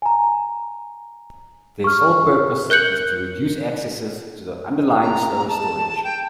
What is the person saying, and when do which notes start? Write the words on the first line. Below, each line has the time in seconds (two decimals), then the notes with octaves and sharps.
Their sole purpose is to reduce accesses to the underlying slower storage.
0.02 G#5 A#5
1.84 C#6 F6
2.70 A#4 F#6 G6 C#7 F#7
5.02 A#5
5.48 A5
6.04 G5